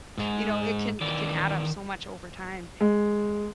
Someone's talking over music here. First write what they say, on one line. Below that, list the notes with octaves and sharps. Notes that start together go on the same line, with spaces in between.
you know, it can it can add up so much over time.
G#2 G#3
D#3 E3 D5
G#3